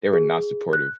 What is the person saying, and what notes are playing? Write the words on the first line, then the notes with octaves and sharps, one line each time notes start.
they were not supportive.
G#4
F#6